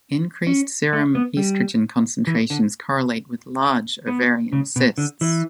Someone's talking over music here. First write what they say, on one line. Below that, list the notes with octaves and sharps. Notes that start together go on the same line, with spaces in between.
Increased serum estrogen concentrations correlate with large ovarian cysts.
C#4
A3
B3
G3
E3
D3
B3
C#3
B2
D3
E3